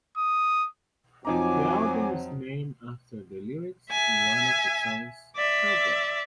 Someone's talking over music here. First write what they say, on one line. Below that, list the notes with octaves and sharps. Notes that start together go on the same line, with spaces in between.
The album is named after the lyrics in one of the songs, "Cowgirl".
D#6
F2 F#3 C4 D#4 G#5 A#5 D6
E5 G#5
D5 E5